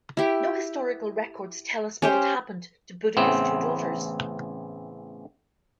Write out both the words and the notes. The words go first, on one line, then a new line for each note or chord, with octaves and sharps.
No historical records tell us what had happened to Boudica's two daughters.
E4 G4
C#4 G4 C5
A1 C#3 E3 B3 C4